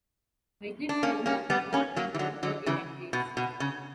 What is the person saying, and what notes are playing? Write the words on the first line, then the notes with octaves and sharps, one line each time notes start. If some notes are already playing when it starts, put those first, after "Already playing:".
Regret's owner had not entered her in that race.
D4
A#3 C#4
A#3 C#4
G3 B3
A#3 C#4
F#3 A#3
E3
D3 F#3
D3 F#3
C#3 E3
B2
B2
C#3